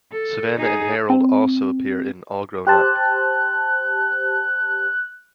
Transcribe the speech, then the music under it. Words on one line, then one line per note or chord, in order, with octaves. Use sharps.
Savannah and Harold also appear in All Grown Up!
A4
D#4 G#4
C4
G4 C5 A5 F#6